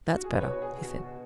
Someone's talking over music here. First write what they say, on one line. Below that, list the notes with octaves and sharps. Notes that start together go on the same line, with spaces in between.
"That's better," he said.
F#4
G#4
B4
B2 C#5
F#4
G#4
B2
F#4
B2